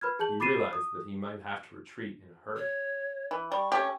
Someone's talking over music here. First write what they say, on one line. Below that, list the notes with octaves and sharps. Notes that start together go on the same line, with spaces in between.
He realized that he might have to retreat in a hurry.
B4 B5 F6 G#6
G#4 A5 G6 F#7
B5 D6 A6 C7 D#7 E7
D#6
C#5
E3
G3 C#6
A3 C#4 G4